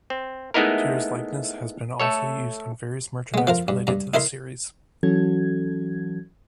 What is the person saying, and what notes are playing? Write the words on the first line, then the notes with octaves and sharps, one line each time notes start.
Tira's likeness has been also used on various merchandise related to the series.
C4
G#3 A3 B3 D#4 E4 A#4
A3 A4 C#5
G#3 B3
F3 F4 A#4
G2
G2 A#5
D#4 E4 A#4 B5 C6
E3 F#3 C#4 F#4 A4 G#6